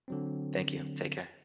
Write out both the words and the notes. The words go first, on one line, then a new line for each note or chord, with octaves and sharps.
Thank you. Take care.
D3 F#3 C4